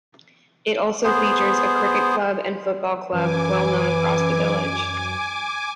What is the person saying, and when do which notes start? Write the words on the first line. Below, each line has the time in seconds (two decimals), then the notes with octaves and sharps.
It also features a cricket club and football club well known across the village.
1.04 B3 G#4 C5
3.13 F#2 E3 G#5 D6